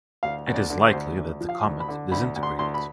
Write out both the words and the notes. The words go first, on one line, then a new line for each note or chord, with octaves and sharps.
It is likely that the comet disintegrated.
D2 F5
D2
D5
D3
C5
D2
D2
F3
F5
D2
B5
D3
D2 B5
D2
C6
D2 C6
B5